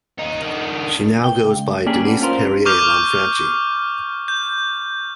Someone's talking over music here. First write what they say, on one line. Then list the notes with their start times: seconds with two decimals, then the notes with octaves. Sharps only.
She now goes by Denise Perrier Lanfranchi.
0.19 D#2 D#4
0.41 D#3 D4
1.24 G5
1.43 C#2
1.86 A#3 C#4 D4 G4 G#4
2.05 B3
2.21 C#4 F4 A#4 C5
2.65 C#6 D6 F6 G6 F7
4.28 G6